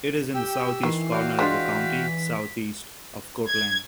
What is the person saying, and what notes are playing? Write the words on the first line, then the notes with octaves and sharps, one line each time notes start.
It is in the southeast corner of the county, southeast of Cortland.
G4 G5 E6
D#3 E3 C7
F#4 D5 F5 G5
G#3 D4 F4 B6
G#6